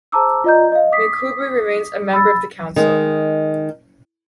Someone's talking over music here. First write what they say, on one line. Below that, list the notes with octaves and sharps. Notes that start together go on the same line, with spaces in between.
McCoubrey remains a member of the Council.
G#4 C5 A5 A#5 D6 E6
F4 D5 D#5 A#5 G6
D#5 F5
D6 D#6 B6 C7
B5 E6 A6
D#3 G#3